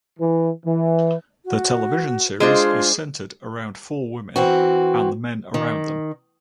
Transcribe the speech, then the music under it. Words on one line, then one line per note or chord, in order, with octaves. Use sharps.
The television series is centred around four women and the men around them.
E3
E3
F#4
G#3 D4 F4 G#4 C5
E3 C4 F#4
D#3